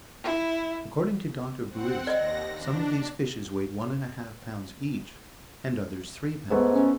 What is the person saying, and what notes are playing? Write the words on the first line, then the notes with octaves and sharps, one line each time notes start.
According to Dr. Buist, some of these fishes weighed one and a half pounds each and others three pounds.
E4
C4 F#5
D#2 D5 D#5 A#6
D4
G#2 A3 B3
C#4